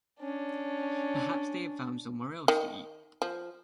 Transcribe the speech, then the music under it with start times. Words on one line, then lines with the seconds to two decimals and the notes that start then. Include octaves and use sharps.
Perhaps they have found somewhere else to eat?
0.20 C#4 D4
2.48 D#3
3.22 F3